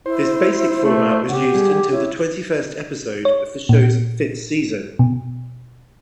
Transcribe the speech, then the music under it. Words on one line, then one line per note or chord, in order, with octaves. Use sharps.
This basic format was used until the twenty-first episode of the show's fifth season.
E4 C5
A3
C#3 G4 F#5
G3 G#4
E4 C#5
C#5
A#2
B2